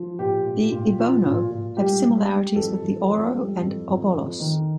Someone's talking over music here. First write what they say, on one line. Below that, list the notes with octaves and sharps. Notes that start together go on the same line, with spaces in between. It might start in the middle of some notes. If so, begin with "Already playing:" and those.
The Ibono have similarities with the Oro and Obolos.
Already playing: F3
A#2 G4
A#2
A#2
F3 F4
A#2
A#2
G3 G4
G3
G3
F2 A4
F2
F2
G3
F2
F2
F2
D#3